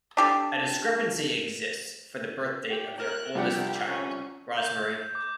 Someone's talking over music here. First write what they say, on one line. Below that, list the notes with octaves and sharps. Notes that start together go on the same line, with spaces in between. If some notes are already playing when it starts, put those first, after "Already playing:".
A discrepancy exists for the birth date of their oldest child, Rosmarie.
D4 G4 A4
G4
A#4 F#6
C2 F3 D4 G4 D5 F#5
C#4
G6
D6